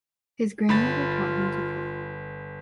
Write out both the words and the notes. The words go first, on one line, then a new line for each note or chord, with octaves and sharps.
His grandmother taught him to cook.
G1 B5 A6
F4